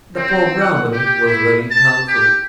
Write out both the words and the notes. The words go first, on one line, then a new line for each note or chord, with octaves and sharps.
The poor Brahmani was very thankful.
C4
F#5
G4
E4
A5
G4